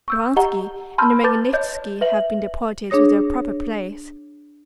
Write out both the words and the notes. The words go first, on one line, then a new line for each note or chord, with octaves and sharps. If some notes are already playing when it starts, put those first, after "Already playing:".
Speranski and Magnitski have been deported to their proper place.
C#6 E6 G6
G4 D#5 F#5 A#5 G7
A5 B5 C6 E6 F6 G6
B4 A5 D6 G6 A6
C#5 D#5 G6
B4 E5 F#7
D4 G#4 C#5 D#6 A#6